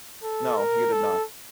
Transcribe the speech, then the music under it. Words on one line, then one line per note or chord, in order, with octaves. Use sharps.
No, you did not.
A4
A#4
A4